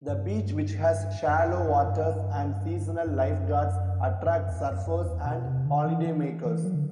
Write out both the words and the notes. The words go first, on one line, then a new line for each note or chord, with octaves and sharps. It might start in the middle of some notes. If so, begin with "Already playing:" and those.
The beach, which has shallow waters and seasonal lifeguards, attracts surfers and holidaymakers.
G2
F#2
F#2
F#2
G2
F#2
G2
F#2
E2
F#2
F#2
F#2
E2
B2
C3
D3
E3
E3
E3
F#3
D3